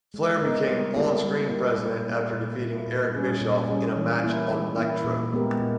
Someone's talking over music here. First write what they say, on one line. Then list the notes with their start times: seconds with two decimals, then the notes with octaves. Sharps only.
Flair became on-screen president after defeating Eric Bischoff in a match on "Nitro".
0.14 G#3
0.41 B3 D#4 A#4
0.69 G3
0.96 A#3 E4 G4 A#4
1.23 G3
1.50 A#3 E4 G4 A#4
1.78 A#2
2.06 A#3 E4
2.33 A#2
2.60 A#3 E4
2.87 A#2
3.15 G3 C#4 G#4
3.42 A#2
3.69 G3 C#4 G#4
3.96 E3
4.24 A#3 E4
4.50 E3
4.77 A#3 E4
5.05 A#2
5.33 G#3 B3 G4 A#4
5.59 A#2